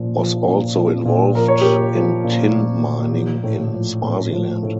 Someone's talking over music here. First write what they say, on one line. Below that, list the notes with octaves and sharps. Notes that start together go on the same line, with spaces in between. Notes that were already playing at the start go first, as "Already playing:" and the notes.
Was also involved in tin mining in Swaziland.
Already playing: A#2 F3
F3
A#2
F3
A#2
F3 A#4
C#5
A#2 G4 A#4
F3
A#2
F3
A#2
F3
A2
F3
A2
F3
A2